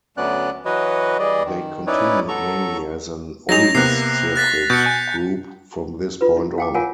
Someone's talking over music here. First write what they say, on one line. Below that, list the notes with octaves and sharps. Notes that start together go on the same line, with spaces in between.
They continued mainly as an "oldies circuit" group from this point on.
D2 F#3 B3 C#4 D5 F#6
E3 F#3 F#4 B4 C#5 D#5
E3 G3 G#4 D5 D#5
D#3
C#4 D#4 E4 B4 C#5 D5
F#3 A4 A#5 C#6
F#3 D#4 G#4 A#6 F7
C3 A#3 B3 F#6 C7
F#6 A6 B6
B2 G6 C#7
G#5
F4 B4
E4
F5 G5 D6
F4 A#4 C#5 F5 F#5 G#5